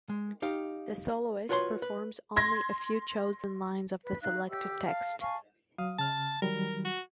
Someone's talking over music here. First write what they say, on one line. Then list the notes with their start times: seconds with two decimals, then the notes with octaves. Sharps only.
The soloist performs only a few chosen lines of the selected text.
0.09 G#3
0.42 D#4 G4 F5
1.49 F4 F#4 B4 C#5 G5 C6
1.82 B4
2.36 C6 G#6 A#6
4.03 B4
4.22 D#4 F5 F#6
4.49 G4 E6
4.85 F5 A5
5.21 F5 G#5 A5 C#6
5.78 F#3 F5 D#6
5.99 C#3 A5 F6
6.42 D#3 F#3 G3 A#4
6.85 F#4